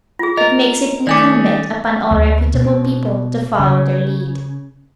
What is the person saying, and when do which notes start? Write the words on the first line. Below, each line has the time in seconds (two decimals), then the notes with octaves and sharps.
It makes it incumbent upon all reputable people to follow their lead.
0.19 F4 G#4
0.37 A#4 D#5
1.07 D#3 A3 C#4 D5 G#5 D6
2.11 D2
2.54 B2
3.59 C#3